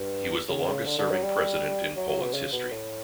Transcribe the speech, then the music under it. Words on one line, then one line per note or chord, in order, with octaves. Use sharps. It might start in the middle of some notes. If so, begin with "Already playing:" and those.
He was the longest serving President in Poland's history.
Already playing: G2
C#3
C#3
D3
D3
F#3
G3
F#3
F#3
B2
C#3
B2
A2